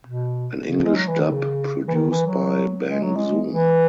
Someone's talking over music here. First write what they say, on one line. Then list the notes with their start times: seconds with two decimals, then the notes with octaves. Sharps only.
An English dub produced by Bang Zoom!
0.05 B2
0.67 C#3
0.85 G#3
0.96 F#3
1.08 E3
1.20 D#3
1.31 C#3
1.88 E3
1.94 D#3
2.10 E3
2.26 F#3
2.89 G#3
3.03 F#3
3.16 G#3
3.52 E3